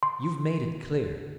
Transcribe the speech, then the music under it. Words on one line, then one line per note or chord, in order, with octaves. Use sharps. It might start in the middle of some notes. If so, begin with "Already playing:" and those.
You've made it clear.
C6